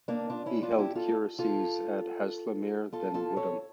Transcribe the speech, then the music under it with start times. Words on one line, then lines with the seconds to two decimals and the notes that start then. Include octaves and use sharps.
He held curacies at Haslemere then Woodham.
0.08 A#3 D4
0.30 D4 F4
0.46 C#4 E4
0.62 D4 F4
0.78 E4 G4
0.95 F4 A4
1.39 F4 A4
2.93 F4 A4
3.14 F4 A4
3.36 A4 C#5